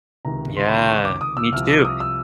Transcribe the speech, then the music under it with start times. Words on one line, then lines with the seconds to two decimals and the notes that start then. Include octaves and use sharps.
Yeah, me too,
0.25 C#2 C3 D#3 A#5
0.57 C6
0.68 B5
0.78 C6
0.88 C#6
1.05 D6
1.21 D#6
1.37 E6
1.52 C2 C3 F3 F6
1.69 E6
1.85 D#6
2.00 E6